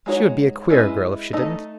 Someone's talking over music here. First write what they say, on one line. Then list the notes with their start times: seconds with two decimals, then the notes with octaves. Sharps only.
"She would be a queer girl if she didn't."
0.06 G#3 D#4 F#4 C#5
0.70 G#3 C#4 E4 B4 D#5
1.33 A3 D#4 A4 D#5